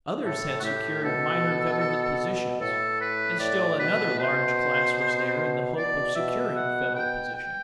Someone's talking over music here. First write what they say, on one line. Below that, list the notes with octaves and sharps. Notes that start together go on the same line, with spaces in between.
Others had secured minor government positions, and still another large class was there in the hope of securing Federal positions.
A2 A4
F#4
A2 G4
B2 A4
A2 A4
B4
A2 D5
B2 B4
C5
B2 D5
B2 E5
F#5
G5
G5